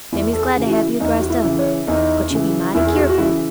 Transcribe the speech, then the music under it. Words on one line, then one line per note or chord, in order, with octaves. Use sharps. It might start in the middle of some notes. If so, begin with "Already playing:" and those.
"Mammy's glad to have you dressed up; but you be mighty keerful."
E2 E4
A4
G#4
C#3 E3
F#4
E4
E2 D#4
F#4
E4
C#3 E3
C#5
E2 D#4
C#3 E3
E2 E4
G#4
F#4
F#4
C#3 E3 E4